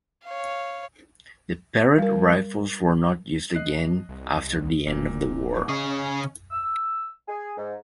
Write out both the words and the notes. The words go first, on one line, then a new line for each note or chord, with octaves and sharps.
The Parrott rifles were not used again after the end of the war.
C#5 F5
G3 A#4
D#5 F#6 C7
C2
D1 A#2
C#3 C#4 G#4 D#5 C#6
E6
G#4
G#2